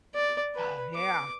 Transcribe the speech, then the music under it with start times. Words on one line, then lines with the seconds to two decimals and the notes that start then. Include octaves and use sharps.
Oh, yeah.
0.14 D5
0.55 B4
0.95 D6